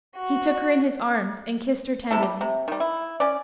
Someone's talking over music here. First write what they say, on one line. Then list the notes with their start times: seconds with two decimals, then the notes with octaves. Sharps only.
He took her in his arms and kissed her tenderly.
0.16 F#4
2.11 C3 E4 A4
2.23 G3
2.41 C3
2.68 D#3 G3
2.80 E4
3.20 C#4 D5